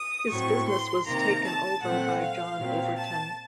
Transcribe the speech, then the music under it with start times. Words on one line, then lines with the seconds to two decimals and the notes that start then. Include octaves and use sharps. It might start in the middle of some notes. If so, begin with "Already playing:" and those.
His business was taken over by John Overton.
Already playing: D#6
0.30 A2 F#3 C4 C#6
0.69 C6
1.06 C3 D#3 A#3 A#5
1.45 A5
1.82 A#2 F#3 A3 C4 F#5
2.21 F5
2.59 A#2 F#3 C4
2.97 A5